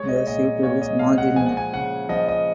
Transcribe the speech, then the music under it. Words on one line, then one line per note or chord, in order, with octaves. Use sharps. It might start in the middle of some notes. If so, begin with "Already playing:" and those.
The suture is margined.
Already playing: G#3 C#5
D#5
A#2 D#5
A#2 C#5
D#5
G#3 F5
F#5
F3 G#5
F#5
G#5
C#3 F#5
F3 D#5
D#5